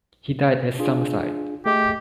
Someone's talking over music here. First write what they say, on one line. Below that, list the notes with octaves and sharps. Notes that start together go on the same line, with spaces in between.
He died at Summerside.
D4 F4 G#4
A3 G4 G#4 D#5